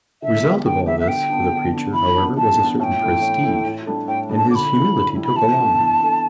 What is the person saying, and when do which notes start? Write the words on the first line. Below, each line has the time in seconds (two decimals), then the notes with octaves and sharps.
The result of all this for the preacher, however, was a certain prestige, and his humility took alarm.
0.22 D3 E5
0.44 G3 B3 G4
0.65 D3 G5
0.86 G3 B3 G4 E5
1.00 E5
1.08 D3 G5
1.30 B3 D4
1.51 D3
1.72 B3 D4
1.93 E3 B5
2.15 B3 D4
2.37 E3 A5
2.58 B3 D4
2.79 A2 A5
2.83 G5
3.01 E3 A3 E4
3.22 A2
3.43 E3 A3 E4
3.65 A2
3.86 G3 D4 A4
4.08 A2 G5
4.29 G3 D4 A4
4.37 A5
4.50 D3 B5 D6
4.72 G3 E4
4.94 D3
5.15 G3 E4
5.25 B5
5.36 E3 A5
5.58 B3 D4 A4
5.79 E3
6.00 B3 D4 A4